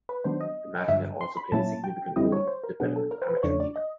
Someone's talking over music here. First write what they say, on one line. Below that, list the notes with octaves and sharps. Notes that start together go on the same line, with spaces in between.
The Matica also played a significant role in the development of amateur theatre.
B4
D#3 F#3 B3 D4 C5
D#5
G2 D3 F#3 E5
C6
B5
A#2 F#3 A#3 C#4 E4 A5
G5
F#2 D3 G3 C4 E4 D#5
C#5
C5
A#4
B2 F#3 B3 D4 G#4
A4
A#4
C5
B4
C5
E2 C#3 F3 A3 D4 C#5
D5
D#5